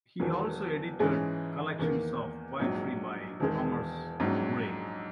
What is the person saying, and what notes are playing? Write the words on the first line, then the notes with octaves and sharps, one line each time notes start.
He also edited collections of poetry by Thomas Gray.
E1 E2 D#3 F#3
G#2 E3 G#3 C#4 G#4
E2 D#3 A#3
A#1 G#2 F#3
E1 E2 D#3 G#3
A#1 G#2 F#3 C#4